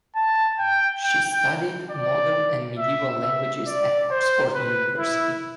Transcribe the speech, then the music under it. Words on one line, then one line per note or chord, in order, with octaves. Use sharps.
She studied Modern and Medieval Languages at Oxford University.
A5
G5
G5
G5
D5
E5
E5
D5
C5
B4
E4